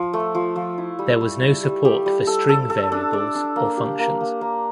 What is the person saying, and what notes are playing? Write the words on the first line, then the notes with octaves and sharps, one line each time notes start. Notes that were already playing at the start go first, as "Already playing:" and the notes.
There was no support for string variables or functions.
Already playing: F3
A3
F3
F3
E4
G3
G3
G3
G3
G4
G3
A4
A4
A4
D4
D5
D4
A#3
G4
A#3
A#3
A#3